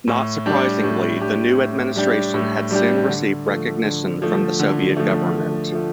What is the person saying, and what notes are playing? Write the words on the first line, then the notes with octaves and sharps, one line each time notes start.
Not surprisingly, the new "administration" had soon received recognition from the Soviet government.
A2
G3 D4 G4
A2
G3 D4 G4
A2
G3 D4 G4
A2
G3 D4 G4
D3
F3 A3
D3
F3 A3
D3
F3 A3
D3
F3 A3